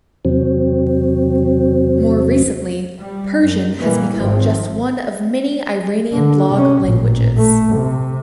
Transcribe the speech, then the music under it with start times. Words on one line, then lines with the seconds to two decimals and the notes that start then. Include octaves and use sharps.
More recently, Persian has become just one of many Iranian blog languages.
0.25 E2 C3 F#3 C4
2.99 G3
3.43 F#2
3.80 A#2 E3 G3 A#3
4.17 G#1 G2 F3 C4
6.12 D3
6.54 C3 C#4
6.83 A1 A#2
7.37 A3
7.76 C3